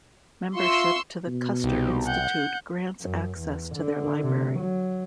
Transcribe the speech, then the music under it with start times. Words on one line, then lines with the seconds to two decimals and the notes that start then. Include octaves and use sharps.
Membership to the Custer Institute grants access to their library.
0.56 F4 E5 C6 C#6 E6
1.27 B2
1.64 C2 D#4 G4
2.06 F#5 G6
3.03 F#2
3.40 E2
3.76 D3
4.22 C3
4.60 F#3